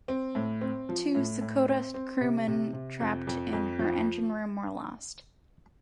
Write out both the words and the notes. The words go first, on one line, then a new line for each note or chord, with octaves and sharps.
Two "Secota" crewmen trapped in her engine room were lost.
C4
A2
C4
F3
A2
A2
C4
C4
C3
C3
C3
F2
F2
F2
F3